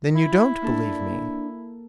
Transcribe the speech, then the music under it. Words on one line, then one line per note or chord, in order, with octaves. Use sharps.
"Then you don't believe me?"
E4
A#3 D4 A4